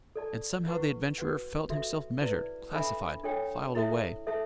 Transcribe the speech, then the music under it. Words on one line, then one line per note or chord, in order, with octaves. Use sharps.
And somehow the adventurer felt himself measured, classified, filed away.
A4 D5 A5
E4 B4 F#5 C#6
F#4 B4 F#5
F#4 A4 E5
E4 B4 D5
D4 A4 E5 B5
D4 A4 C#5 G5
E4 A4 E5
A4 E5 A5